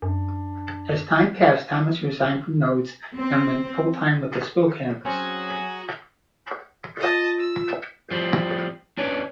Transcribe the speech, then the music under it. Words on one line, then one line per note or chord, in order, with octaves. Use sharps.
As time passed, Thomas resigned from Nodes, and went full-time with The Spill Canvas.
F#2 D4
C4
F#3 C4 C#4 F#4 G#4 G#5 A#5
F4 D#5 A5
E6
F3 G3 C4
C#4 D4 B4 C#5 D5